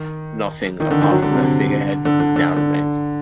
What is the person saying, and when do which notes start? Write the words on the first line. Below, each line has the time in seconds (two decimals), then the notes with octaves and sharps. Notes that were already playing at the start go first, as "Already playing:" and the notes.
Nothing, apart from her figurehead, now remains.
Already playing: D#3
0.80 D#3
0.91 D3
1.02 D#3
1.11 F#3
1.22 D3
1.32 C3
1.43 D3
2.05 D3
2.20 D3
2.36 D3
2.56 D3